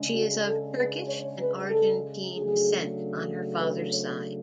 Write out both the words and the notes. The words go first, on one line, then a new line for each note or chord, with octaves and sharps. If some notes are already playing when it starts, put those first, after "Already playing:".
She is of Turkish and Argentine descent on her father's side.
Already playing: C#3 G#3 D4
F#4
A4
B4
C#5
B4
A4
C#3 F#3 A3 D4 G#4
B4
C#5